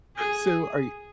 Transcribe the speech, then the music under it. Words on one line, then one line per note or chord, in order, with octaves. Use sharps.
So, are y
G#4